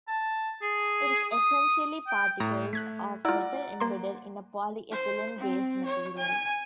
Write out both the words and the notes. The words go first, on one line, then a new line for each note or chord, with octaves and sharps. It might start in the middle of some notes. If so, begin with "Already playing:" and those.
It is essentially particles of metal embedded in a polyethylene-based material.
A5
G#4
D#6
G5
A2 A#5
A3 F#6 G#6 B6
E4 F4 D5 F#5 A#5
A#3 C6
C5
C4
C#5
G#5